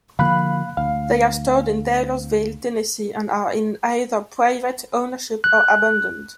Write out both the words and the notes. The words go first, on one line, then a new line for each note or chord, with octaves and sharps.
They are stored in Taylorsville Tennessee and are in either Private ownership or abandoned.
D3 F3 A#3 F5 B5 F#6
D2 F5
F#6